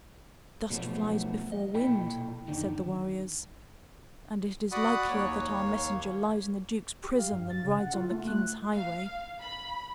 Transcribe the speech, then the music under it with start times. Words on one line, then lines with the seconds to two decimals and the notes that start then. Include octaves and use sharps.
"Dust flies before wind," said the warriors, "and it is likelier that our messenger lies in the duke's prison than rides on the king's highway."
0.70 B2 F3 F#3 A3 B3
1.52 D#5
1.75 B1 A#2 E4 A4 G5 B5
2.48 F#2 D3 D#3
4.72 F#4 D5 F#5 B5 D#6 F#6
5.09 D#2 A#3 C#5
7.03 G4
7.19 F5
7.31 G2
7.50 A6
7.64 C#3
7.79 F#5
7.94 F4
8.11 A3
8.28 F#6
8.73 F5
9.40 B5